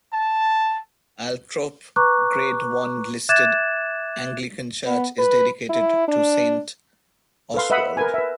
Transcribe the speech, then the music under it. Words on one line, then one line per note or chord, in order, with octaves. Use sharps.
Althorpe Grade One listed Anglican church is dedicated to Saint Oswald.
A5
B4 A#5 C#6 D6 F#6
E5 D6 F#6 G#6 A6 E7
B3
B4
E4
D4
A4 B4 F5 C6
B4 D#5 E5 F#5 B5 D#6
A#4 B4 G#5
B4 E5